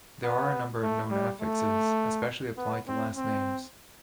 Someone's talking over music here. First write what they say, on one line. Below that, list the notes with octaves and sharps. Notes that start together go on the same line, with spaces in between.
There are a number of known affixes, especially applied to last names.
B3
A3
G3
A3
B3
C4
C4